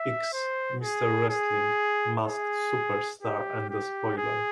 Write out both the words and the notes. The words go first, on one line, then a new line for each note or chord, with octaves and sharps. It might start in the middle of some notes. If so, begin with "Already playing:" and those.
X, Mr. Wrestling, Masked Superstar and the Spoiler.
Already playing: E5
C5
G#4
G#4
G#4
G4
G4
G#4